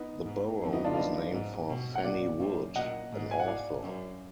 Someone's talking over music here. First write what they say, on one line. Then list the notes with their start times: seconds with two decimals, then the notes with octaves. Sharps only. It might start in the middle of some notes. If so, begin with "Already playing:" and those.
The borough was named for Fannie Wood, an author.
Already playing: B3 D#4
0.25 G#2
0.61 F2
0.73 B3 D#4
0.84 D4 F4
0.93 F5
0.96 F#2 B4 D#5
1.33 G#2
1.69 B2
1.95 F#5
2.04 A#2 D5 F5
2.40 F#2
2.75 A#2 D#5 F#5
3.11 G#2
3.31 G#5
3.39 F#5
3.47 D5 F5
3.83 F#2